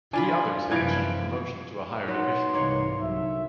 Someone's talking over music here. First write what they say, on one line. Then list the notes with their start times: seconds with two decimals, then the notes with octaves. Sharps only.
Three others have achieved promotion to a higher division.
0.13 D4 F4 G#5 B5
0.71 F#2 C3 E3 F3 G#6 D7
2.08 F#3 B3 D#4 F#4 C6
2.54 C2 G#2 E3 A#3 C#5
3.01 C2 D3 F#3 E5